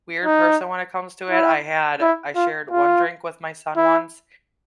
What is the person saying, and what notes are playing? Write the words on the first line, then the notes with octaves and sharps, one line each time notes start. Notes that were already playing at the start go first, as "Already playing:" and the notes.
weird person when it comes to it, I had I shared one drink with my son once
D#4
E4
E4
F4
F4
E4